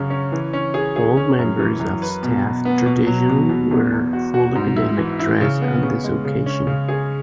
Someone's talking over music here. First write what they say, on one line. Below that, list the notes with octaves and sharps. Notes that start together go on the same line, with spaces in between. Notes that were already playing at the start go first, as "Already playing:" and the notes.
All members of Staff traditionally wear full academic dress on this occasion.
Already playing: F#2 C#3 C#4
C#4
E3
C#4
G#4
G#4
C#4
F#2
E3
F#2
B4
B2
B2
B3
B2
F#3
B2
B2
E2
E2
F#4
F#4
G#2
E4
E3
E4
C#3
B3
C#3
G#3
C#3
C#4
C#3
G#4